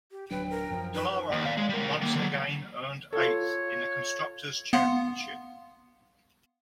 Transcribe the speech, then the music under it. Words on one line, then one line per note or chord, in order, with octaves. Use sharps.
Dallara once again earned eighth in the Constructors' Championship.
G4
D1 F#3 D4 B4 G5
A#4
F#2 F3
D#4 B4
D#2
D5 F5
G#3
G3 A#4
D#3 A#3
D3 F#3
F4 A4 C#5
B3 F5 F#5 C6